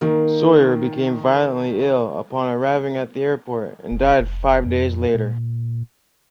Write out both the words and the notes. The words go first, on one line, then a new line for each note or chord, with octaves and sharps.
Sawyer became violently ill upon arriving at the airport and died five days later.
D#3 A#3
F1
F1
F2
A#2